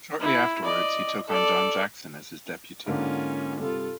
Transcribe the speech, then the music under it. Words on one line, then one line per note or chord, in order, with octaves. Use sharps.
Shortly afterwards he took on John Jackson as his deputy.
E4
D5 D#5
A4 D5
G#2 D3 A#3 C#4 F4
G2 C3 F4 A4